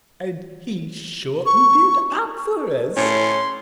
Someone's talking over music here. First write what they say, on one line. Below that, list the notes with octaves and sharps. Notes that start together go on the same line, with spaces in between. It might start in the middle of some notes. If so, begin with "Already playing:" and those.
And he shortened it up for us.
C#6
A2 C#4 C6